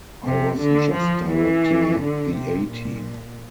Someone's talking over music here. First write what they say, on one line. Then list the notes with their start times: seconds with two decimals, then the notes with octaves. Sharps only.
I was just directing "The A-Team".
0.24 C3
0.59 D3
0.94 F3
1.30 E3
1.99 D3
2.35 C3
2.70 A#2